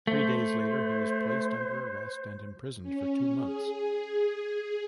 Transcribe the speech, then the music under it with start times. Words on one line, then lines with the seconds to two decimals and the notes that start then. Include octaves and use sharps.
Three days later he was placed under arrest and imprisoned for two months.
0.07 A3 C5
2.82 C#4
3.38 G#4